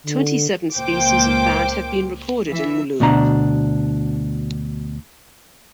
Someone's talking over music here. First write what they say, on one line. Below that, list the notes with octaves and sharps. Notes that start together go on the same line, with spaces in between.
Twenty seven species of bat have been recorded in Mulu.
D3
C#2 A#2 A#3 C5 G5 D6
E3 E5
D2 B2 D4 A#5